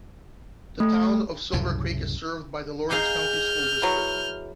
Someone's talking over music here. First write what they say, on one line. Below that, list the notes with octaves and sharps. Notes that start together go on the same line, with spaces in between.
The Town of Silver Creek is served by the Lawrence County School District.
A3
C2 F#2 A2 C#3
D#4 G#4 F5 F6 G6
E3 F#3